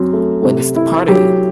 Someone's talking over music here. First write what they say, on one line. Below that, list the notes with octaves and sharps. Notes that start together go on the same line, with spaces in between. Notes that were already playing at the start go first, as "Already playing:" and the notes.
When is the party?
Already playing: F#2 F#3 C4
A3
C3
E4
F#3 G4